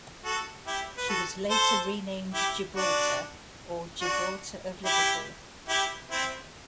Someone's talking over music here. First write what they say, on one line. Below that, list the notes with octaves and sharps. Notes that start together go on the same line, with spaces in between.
She was later renamed Gibraltar or Gibraltar of Liverpool.
F#4 A4
E4 G4
B4
F#4 A4
A4 C5
E4 G4
D4 F#4
D4 F#4
E4 G4
E4 G4
C4 E4